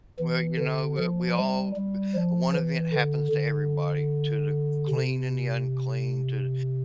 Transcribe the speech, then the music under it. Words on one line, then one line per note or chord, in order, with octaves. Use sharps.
Well, you know, we we all b one event happens to everybody, to the c clean and the unclean, to
E3
D3
F3
G3
G3
F3
E3
D3
D3
C3